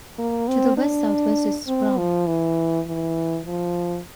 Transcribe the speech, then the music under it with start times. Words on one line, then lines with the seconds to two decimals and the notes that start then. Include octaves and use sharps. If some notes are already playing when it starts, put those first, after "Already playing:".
To the west-southwest is Bronk.
0.19 A#3
0.48 C4
0.78 D4
1.67 C4
1.98 F3
2.27 E3
2.87 E3
3.46 F3